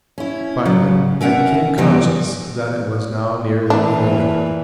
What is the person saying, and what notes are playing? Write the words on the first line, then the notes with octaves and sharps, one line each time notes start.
Finally I became conscious that it was now nearly over.
C#4 E4
C#3 F#3
C#4 A#4 E5 F#5
C3 E3 G3 B3
A#2 E3 D4